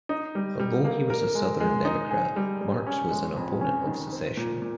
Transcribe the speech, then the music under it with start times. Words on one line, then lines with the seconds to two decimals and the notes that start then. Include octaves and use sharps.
Although he was a Southern Democrat, Marks was an opponent of secession.
0.09 D#4
0.35 G3
0.59 G3
0.84 A#3
1.10 A#4
1.35 G#3
1.60 G#3
1.85 D#4
2.11 G#4
2.36 G3
2.61 G3
2.87 C#4
3.11 G#3
3.36 F2
3.61 C#4
3.87 D#3
4.12 C4
4.37 A#2
4.62 A#2